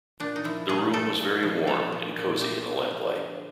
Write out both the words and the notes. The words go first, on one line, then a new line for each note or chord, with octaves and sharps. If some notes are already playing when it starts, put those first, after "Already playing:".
The room was very warm and cosy in the lamplight.
A#2 D4
D#4
F3 E4
A#2 G#4
A3 A4
A#2
F3
A#2 A4
F3
A#2
A3 G4
A#2
F3
D3